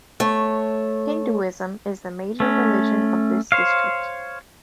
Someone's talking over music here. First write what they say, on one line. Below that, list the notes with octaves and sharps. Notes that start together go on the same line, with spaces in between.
Hinduism is the major religion of this district.
A3 C#5
A3 C#4
C5 C#5 F5